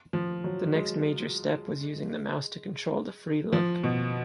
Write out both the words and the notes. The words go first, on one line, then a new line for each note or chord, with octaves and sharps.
The next major step was using the mouse to control the free look.
F3
F#3
G#3
F3
B2